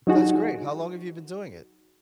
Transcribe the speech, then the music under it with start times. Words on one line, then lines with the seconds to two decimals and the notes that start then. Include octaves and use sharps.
That's great, how long have you been doing it?
0.07 F#3 D#4 F#4 G#4